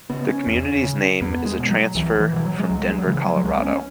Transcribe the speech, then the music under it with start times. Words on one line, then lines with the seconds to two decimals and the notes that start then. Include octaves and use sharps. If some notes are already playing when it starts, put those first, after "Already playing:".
The community's name is a transfer from Denver, Colorado.
0.10 C#3 B3
0.28 C#4
0.47 E2
0.84 C#3
1.21 E2 B3
1.46 G#3
1.59 B2
1.70 F#3
1.95 C#2 E3
2.20 E3
2.33 B2 E3
2.45 F#3
2.59 G#3
2.69 C#2 F#3
2.88 G#3
2.98 F#3
3.06 C#3 E3
3.25 F#3
3.36 F#3
3.44 C#2 G#3
3.58 B3
3.63 C#4